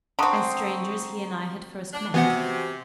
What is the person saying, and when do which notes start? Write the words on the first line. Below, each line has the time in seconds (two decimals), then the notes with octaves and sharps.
As strangers he and I had first met.
0.19 D3 C4 A#5 C#6 D#6
1.93 D4
2.14 C3 E3 B3 F#4 F#5 G#5